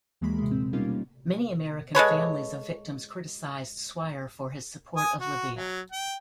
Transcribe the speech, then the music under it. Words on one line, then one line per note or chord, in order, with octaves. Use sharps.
Many American families of victims criticised Swire for his support of Libya.
D#2 E3 F#3 G#3 A#3 B5
C3 G#3
C4
B2 G3 A#3 C#4 D#4 F4
G#3 A4 B4 C#5
G#5 D#6
F#4
F#3
G5